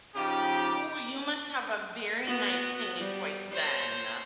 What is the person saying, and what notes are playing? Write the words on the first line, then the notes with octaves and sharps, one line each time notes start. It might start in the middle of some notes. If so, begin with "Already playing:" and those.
Ooh, you must have a very nice singing voice then.
C#3 F3 D#4 F4 G4
B3 F#4
G3
C5 C#5